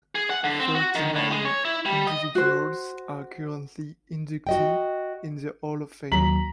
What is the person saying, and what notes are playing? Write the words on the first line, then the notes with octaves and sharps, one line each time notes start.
Thirty-nine individuals are currently inductees in the Hall of Fame.
G#4
F#5
D3
C4
F#4
D#3
A2
G#3
C#5
E4
G3
D#5
F#4 C5
F#4 D#5 G5
D#2 F#3 A#5 B6 F#7